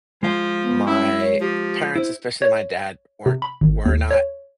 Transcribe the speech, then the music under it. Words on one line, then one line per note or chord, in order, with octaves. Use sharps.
my parents, especially my dad, weren't were not
F3 G#3 F5
B3
C#4 E4
C#5
F3 G4
E4 C5
C#5
C3
B5
G#1
D#2
C#5